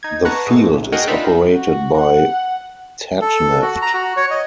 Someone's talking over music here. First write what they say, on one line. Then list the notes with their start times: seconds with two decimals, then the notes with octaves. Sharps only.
The field is operated by Tatneft.
0.03 D#4 G#6
0.25 B4 F#5 A5 A#5 C#6
0.47 G#2 B2 G#3 A3
0.73 A#1
0.92 F#4 G#4 A#4 D#5 F#5 G5
1.07 D4 D#4 F4 E5 B5
1.52 F#4
1.97 F#5
3.22 A4
3.62 F#4
3.82 A#5
3.94 F#4
4.17 C#5
4.31 D#5